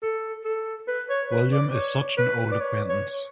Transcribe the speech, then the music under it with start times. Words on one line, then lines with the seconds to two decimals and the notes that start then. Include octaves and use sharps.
William is such an old acquaintance!
0.03 A4
0.45 A4
0.88 B4
1.10 C#5
1.31 B4
1.53 D5
1.75 C#5
2.18 B4
2.52 D5
2.60 C#5
2.89 C#5